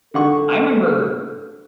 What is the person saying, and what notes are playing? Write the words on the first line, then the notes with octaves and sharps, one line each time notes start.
I remember
D3 A4 F#5 C#6